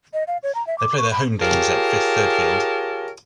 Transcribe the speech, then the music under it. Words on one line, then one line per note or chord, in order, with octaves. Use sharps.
They play their home games at Fifth Third Field.
D#5
F5
C#5
A#5
E5
D6
C#6
B5
F4 G4 G#4 A#4 C#5 A5